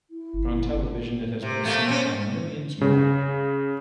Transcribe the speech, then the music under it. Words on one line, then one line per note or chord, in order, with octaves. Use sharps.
On television it has been seen by millions more.
E4
G1
C3
A3 A#3
C4 C#4
C#3